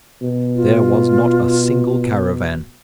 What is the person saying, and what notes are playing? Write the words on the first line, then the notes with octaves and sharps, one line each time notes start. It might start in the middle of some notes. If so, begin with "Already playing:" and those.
There was not a single caravan.
B2
F4